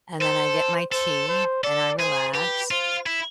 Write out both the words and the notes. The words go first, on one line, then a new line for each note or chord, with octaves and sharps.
And then I get my tea and I relax.
A4 C5
A4 C5
C5
A4 D5
G#4 C5
G4 B4
F4 C5
E4